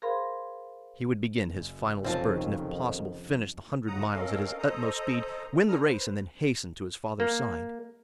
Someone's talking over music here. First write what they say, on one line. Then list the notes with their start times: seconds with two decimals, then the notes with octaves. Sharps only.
He would begin his final spurt, and if possible finish the hundred miles at his utmost speed, win the race and then hasten to his father's side.
0.02 G#4 A#4 C5 F5 B5 C6
1.50 F#1
2.04 F1 F2 D#3 C4 C#4 F4 C#5 A5
3.87 D2 G#2 C#3 F#5 A#5 D#6
4.14 C4 C#4 A4 A#4 D#5 F5
4.59 A4 C5 D#5 A#5 D#6
5.68 D4 E4 A4 A#5 D#6 F6
5.83 B4 C5
7.20 A#3